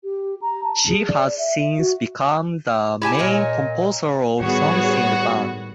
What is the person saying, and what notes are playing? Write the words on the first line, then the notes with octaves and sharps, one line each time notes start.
She has since become the main composer of songs in the band.
G4
A#5
A5
G#4
D5
E5
E5
F#4
E4 G4 G#5 A5
A#2 C#5 D#5 G#5
A2 D#3 G3 B3 F#4 G#4 C#5